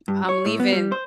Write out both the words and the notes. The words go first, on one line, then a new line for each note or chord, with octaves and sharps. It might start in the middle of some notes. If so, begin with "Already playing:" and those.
I'm leaving
G2
C#5
A2
B3
G3
C5